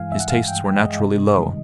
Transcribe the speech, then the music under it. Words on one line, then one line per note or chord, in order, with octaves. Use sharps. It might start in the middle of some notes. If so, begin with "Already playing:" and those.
His tastes were naturally low.
Already playing: G2 E3 G#3 F5 G#5
G2 E5
F#5
G2 F5
G2 G5
G2 G5
G#3 D#5
C3
G3
D#3